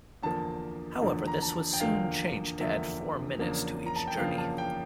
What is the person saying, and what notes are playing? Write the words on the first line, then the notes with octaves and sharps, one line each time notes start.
However, this was soon changed to add four minutes to each journey.
E2 D3 F3 A#3 A5
E2 D3 F3 A#3
A#5
A5
G5
E2 D3 F3 A#3 F5
E2 D3 F3 A#3 E5
E2 C#3 F3 A#3 D4
A#5
A5
G5
E2 C#3 F3 A#3 D4 F5
A5
G5